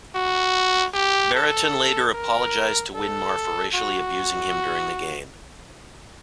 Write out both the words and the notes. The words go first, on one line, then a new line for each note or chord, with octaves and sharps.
Brereton later apologised to Winmar for racially abusing him during the game.
F#4
G4
A4
A#4
A4
F#4